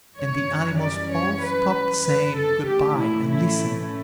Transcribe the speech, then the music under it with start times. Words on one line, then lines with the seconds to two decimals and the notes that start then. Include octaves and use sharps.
And the animals all stopped saying Good-by and listened.
0.17 F#2 E3 G3 C#4 C#5
0.80 D5
1.11 C#5
1.43 B4
2.04 B4
2.36 A4
2.67 A2 E3 A3 C#4 G4
2.99 E4
3.30 E4